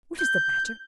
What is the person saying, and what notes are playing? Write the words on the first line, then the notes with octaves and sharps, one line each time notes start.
What is the matter?
G6